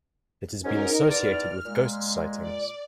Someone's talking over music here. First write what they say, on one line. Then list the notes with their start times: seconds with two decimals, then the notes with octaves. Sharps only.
It has been associated with ghost sightings.
0.63 G#2 F#3 C#4 D#4 A#4
1.08 E2 D5 F6
1.65 A#2 G#3
2.40 D5